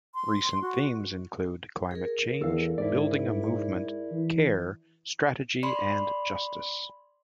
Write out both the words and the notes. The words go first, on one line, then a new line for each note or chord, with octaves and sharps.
Recent themes include "Climate Change", "Building a Movement", "Care", "Strategy", and "Justice".
C6
F#4
G#4 A#4
E2 A4 F5
G#2 E4 D5
E3
D5 B5 C6